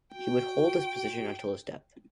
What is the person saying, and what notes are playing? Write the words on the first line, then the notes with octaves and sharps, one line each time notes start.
He would hold this position until his death.
F#4 G5 D7